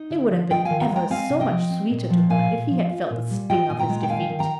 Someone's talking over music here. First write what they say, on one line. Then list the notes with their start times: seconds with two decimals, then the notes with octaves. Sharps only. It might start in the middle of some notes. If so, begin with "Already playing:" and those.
It would have been ever so much sweeter to her if he had felt the sting of his defeat.
Already playing: D#4
0.10 D3
0.31 F3
0.50 F4 D#5 G5
0.65 D#3 F5 G#5
0.81 G5 A#5
0.91 G#3
0.96 G5 A#5
1.10 C4 F5 G#5
1.30 C3
1.40 D#5 G5
1.51 F3
1.70 C4
1.90 A#2
2.10 F3
2.30 A#2 F5 G#5
2.51 A#2
2.70 F3
2.90 F4
3.10 A#2
3.30 G3
3.50 F4 D#5 G5
3.69 A#2 G#5
3.79 G5 A#5
3.89 G#3
4.03 G5
4.09 D#3 F5 G#5
4.29 D#3
4.39 G5 A#5